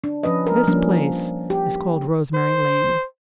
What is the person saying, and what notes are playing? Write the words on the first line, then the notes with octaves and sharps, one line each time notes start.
This place is called Rosemary Lane.
D4
F3 C#4 B4 D#5
A#4
F3 G3 A#3 C#4 D4
G4
C5